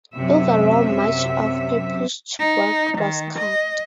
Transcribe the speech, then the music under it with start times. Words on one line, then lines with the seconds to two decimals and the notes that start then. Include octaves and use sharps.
Overall much of Pepusch’s work was cut.
0.15 F#2 C3 E5
2.39 D#4
2.98 D#3
3.39 D#5